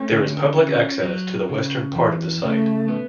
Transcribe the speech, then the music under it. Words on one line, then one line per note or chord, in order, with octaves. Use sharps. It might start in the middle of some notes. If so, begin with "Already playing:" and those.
There is public access to the western part of the site.
Already playing: A3 C#4
D3
C#4
F#3
C#3
E2
C#3 A3
B3